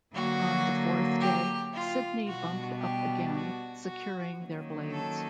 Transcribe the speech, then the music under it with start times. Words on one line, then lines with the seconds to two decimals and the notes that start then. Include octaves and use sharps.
On the fourth day, Sidney bumped up again, securing their blades.
0.14 D3 F#3 A#3 F#4
1.20 G4
1.73 F4
2.26 B2 G3 B3 D4 F#4
2.79 G4
3.32 F#4
3.85 F#4
4.38 D#3 F#3 A#3 C#4
4.91 A4